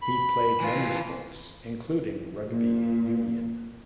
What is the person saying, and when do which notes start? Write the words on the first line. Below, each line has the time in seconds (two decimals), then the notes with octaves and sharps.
He played many sports including rugby union.
0.02 B5
0.60 E3 F4
2.48 A#2